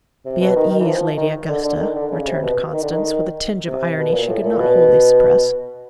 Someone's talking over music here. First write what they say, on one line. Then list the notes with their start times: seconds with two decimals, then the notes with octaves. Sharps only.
"Be at ease, Lady Augusta," returned Constance, with a tinge of irony she could not wholly suppress.
0.25 C3
0.40 B2
0.56 D#3
0.71 D#3
0.80 E3
0.87 F3
1.17 D#3
1.49 D3
1.64 D3
1.76 D3
1.79 D#3
1.95 D3
2.11 C#3
2.27 C3
2.42 B2
2.73 D#3
2.82 D3
2.91 D#3
3.67 C3
3.97 B2
4.12 A#2
4.28 A2
4.45 A#2
4.59 B2